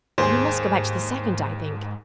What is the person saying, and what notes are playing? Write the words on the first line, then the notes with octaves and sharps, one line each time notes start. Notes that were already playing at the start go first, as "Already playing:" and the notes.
'We must go back to the second, I think.
D#2 G#2 G#4 C5